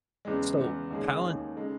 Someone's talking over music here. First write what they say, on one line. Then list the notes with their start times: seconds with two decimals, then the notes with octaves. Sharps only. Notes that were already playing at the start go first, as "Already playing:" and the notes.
So, Palant
0.25 E2 C#3 G#3
0.57 E2 C#3 G#3
0.90 D#2 D#3 G#3 C#4 G#4
1.23 D#2 D#3 G#3 C#4 G#4
1.56 C#3 G#3 D#4 A4